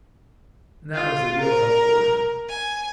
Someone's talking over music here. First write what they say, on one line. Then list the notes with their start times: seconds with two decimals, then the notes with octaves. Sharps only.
And that was the real hell for him.
0.94 F4
1.40 A#4
2.49 G#5